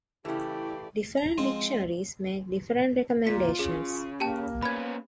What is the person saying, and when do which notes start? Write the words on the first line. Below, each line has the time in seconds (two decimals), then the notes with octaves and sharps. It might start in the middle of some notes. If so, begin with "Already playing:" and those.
Different dictionaries make different recommendations.
0.25 C#3 E3 A3 E4 G4 D5
1.17 A#5
1.38 F3 G#3 C4
3.27 A#2 F4 B6
3.59 C#3 G#4
4.20 A#3 G4 G5 A5
4.63 B3 C#4 B5 G#6